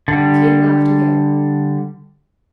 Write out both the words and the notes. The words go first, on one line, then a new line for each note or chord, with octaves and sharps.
The king laughed again.
D3 G3